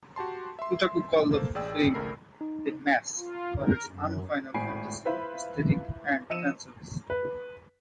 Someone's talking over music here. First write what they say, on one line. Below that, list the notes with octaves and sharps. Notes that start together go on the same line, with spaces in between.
Kotaku called the film "a mess" for its un-Final Fantasy aesthetic and fan service.
F#4 G4 A5 C6
E5 C6
A#3 A4 C5
A1 G#4 D5 G5 E6
G#1 C#2 A3 A#4 B5 C7
D#4
F4
A#4
F#2
G#1 A2 G#5 B5 C7 D7
E4 F4 B4 C5 E5 B5
F3 D#5 E6 C#7 D#7 E7
B4